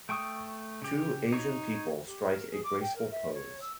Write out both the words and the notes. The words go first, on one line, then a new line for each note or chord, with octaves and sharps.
Two Asian people strike a graceful pose.
A3 G5 C#6 D#6
C#3 G4
D#4 C#5
G4
A#4
G#4
D6
G5
A#4
E5
C#5
E6